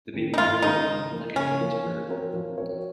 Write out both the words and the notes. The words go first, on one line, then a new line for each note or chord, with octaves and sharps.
The baby wriggled and looked like it needed to burp.
D#3 G#3 C#4
D#4
G#2 F4
D#3 G#3 C#4 D#4
C#3
F3 A#3
C#3 C#4
F3 A#3
F3
C4 F#4 A#4 C#5
F3
C4 F#4 A#4 C#5